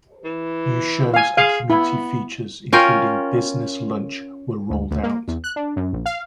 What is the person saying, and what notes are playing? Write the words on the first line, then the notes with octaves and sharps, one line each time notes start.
New shows and community features including Business Lunch were rolled out.
E3
F5 G#5
G#4 F5
B3 E4
C#4 F4 A#4 G5
D2
D2
A#3
E2
F#6
D4
F#2
A#1
F5